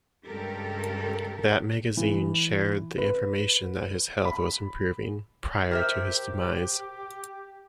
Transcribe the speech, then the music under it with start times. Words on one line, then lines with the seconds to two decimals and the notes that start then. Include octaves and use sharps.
That magazine shared the information that his health was improving prior to his demise.
0.25 G2 C#3 G#3 G4 A4 A#4
1.97 E3
2.98 B4
4.25 B5
5.71 G4 A#4 C5 E5